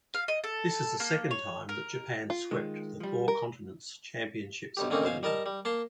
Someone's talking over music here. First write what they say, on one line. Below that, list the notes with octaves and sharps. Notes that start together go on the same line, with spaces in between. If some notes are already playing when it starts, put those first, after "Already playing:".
This is the second time that Japan swept the Four Continents Championships' podium.
F5
D#5
A4
A#3
C#5
A#4
F4
D#3 G#3
F3 G3
A#4
B1 G2 G4
D3 A#3 C4 C#4 D#4
B1 C5 F5 G#5
G3 A#4 D#5 A5
G3
A#3 A5 C6